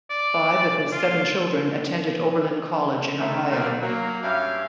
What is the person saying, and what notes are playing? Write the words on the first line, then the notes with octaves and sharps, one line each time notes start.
Five of his seven children attended Oberlin College in Ohio.
D5
F4
D#3 A3 E4
D#3 F#3 G3 A#3 C4 D4
F#3 A#3
G2 C#4 G4 E5 F5